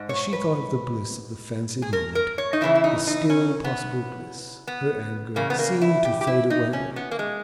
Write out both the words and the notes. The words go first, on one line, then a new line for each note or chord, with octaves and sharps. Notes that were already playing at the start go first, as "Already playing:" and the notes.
As she thought of the bliss of the fancied moment, the still possible bliss, her anger seemed to fade away.
Already playing: G#2
C#5
B4
G#4
A#4
A#4
C#5
D#4
E2 C#3 E3 E4
E4
D#4
D#4
C#4
B3
B3
E2 C#3 A#3
B3
A#3
E4
G4
G4
E4
D#4
C#4
B3
A#3
G#3